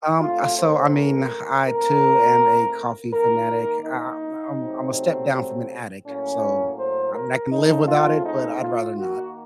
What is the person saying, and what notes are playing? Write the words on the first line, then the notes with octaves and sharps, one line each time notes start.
Um, I so, I mean, I too am a coffee fanatic. I I'm I'm a step down from an addict, so, I mean, I can live without it, but I'd rather not,
A2 A3 C4 F4
C5
A#4
A#2 A3 C4 A#4
D#3 A#3 A#4
D#4
C3 F#3 A3 C4
A2 F#3 A#3 C#4
C5
A#4
C#3 A3 C4 D#4
F4
D#4
F4
D#3 A#3 F#4